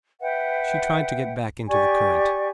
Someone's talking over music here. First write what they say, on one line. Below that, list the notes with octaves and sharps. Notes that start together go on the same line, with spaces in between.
She tried to get back into the current.
B4 E5 F#5 G5
G4 D5 G#5 C#6